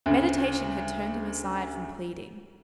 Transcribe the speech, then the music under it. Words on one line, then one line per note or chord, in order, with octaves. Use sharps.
Meditation had turned him aside from pleading.
D2 C#3